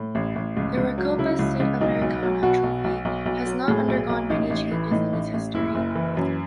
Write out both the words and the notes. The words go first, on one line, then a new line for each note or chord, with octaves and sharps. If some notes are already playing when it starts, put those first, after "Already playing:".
The Recopa Sudamericana trophy has not undergone many changes in its history.
Already playing: A2
A1
A1
C#2
C#2
F#3
C#3 E4
C#2
C#2
B1 D#4
B1
F#3
B2 F#4
B1
B1
B1
B1
F#3
A2 G#4
B1
B1
A1 D#4
A1
E3
A2 D#4
A1
A1
F#1 E4
F#1
E3
F#2